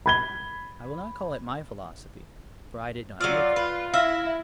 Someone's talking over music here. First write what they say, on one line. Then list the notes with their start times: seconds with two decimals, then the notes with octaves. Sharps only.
I will not call it my philosophy; for I did not make it.
0.06 B5 G#6 G7
3.21 F#3 F4 D5 E6 F6
3.56 B4
3.94 E4 E5 F5 F6 A#6